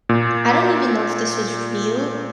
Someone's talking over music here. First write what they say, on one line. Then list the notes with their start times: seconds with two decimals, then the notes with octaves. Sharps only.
I don't even know if this was real,
0.09 A#2